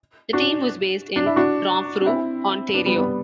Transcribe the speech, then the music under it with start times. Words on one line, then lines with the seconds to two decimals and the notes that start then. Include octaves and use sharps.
The team was based in Renfrew, Ontario.
0.33 D4 F#4
1.16 D4
1.26 E4
1.36 D4 F#4
2.01 D4
2.06 C4 E4
2.74 B3 D4
2.86 G3 B3
2.98 G3 B3